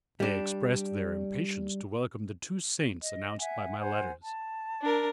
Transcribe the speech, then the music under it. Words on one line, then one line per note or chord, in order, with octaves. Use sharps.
They expressed their impatience to welcome the two saints announced by my letters.
G3 D4
D#5
E5 F#5 G#5
C5 F#5 G#5
A5
D4 A#4